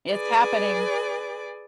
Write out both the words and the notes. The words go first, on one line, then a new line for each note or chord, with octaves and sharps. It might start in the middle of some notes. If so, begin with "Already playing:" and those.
It's happening.
G#4 B4 D5